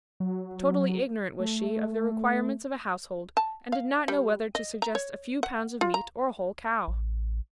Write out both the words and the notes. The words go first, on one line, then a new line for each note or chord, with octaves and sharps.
Totally ignorant was she of the requirements of a household; and did not know whether to suggest a few pounds of meat or a whole cow.
F#3
A3
A5
F5
G3
D#5
A#5
C#5
F#5
F4
A#5
A1